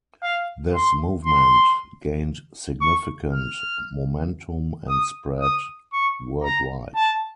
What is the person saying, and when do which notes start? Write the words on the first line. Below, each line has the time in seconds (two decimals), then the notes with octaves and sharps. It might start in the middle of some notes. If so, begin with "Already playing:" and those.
This movement gained significant momentum and spread worldwide.
0.22 F5
0.74 C6
1.25 C6
2.81 C#6
3.33 F6
4.88 D#6
5.40 D#6
5.93 C#6
6.43 A#5
6.95 A5